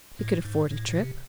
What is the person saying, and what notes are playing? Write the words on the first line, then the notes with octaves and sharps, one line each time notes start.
He could afford a trip.
A2
G#2
A2
A2
C3